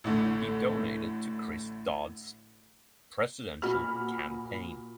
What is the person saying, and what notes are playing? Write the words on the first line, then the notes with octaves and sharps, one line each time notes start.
He donated to Chris Dodd's presidential campaign.
A1 A2 D3 A3
A#2 F#4 B5 F6